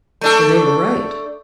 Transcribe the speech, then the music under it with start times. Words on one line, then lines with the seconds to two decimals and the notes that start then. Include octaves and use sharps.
And they were right.
0.21 A3 D4 A4